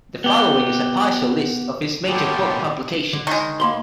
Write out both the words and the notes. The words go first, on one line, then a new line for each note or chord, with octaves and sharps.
The following is a partial list of his major book publications.
B3 G4
A#2 B3 G4 A4 C#5 C6
D3
D#3 G#3
A#3 B5 C6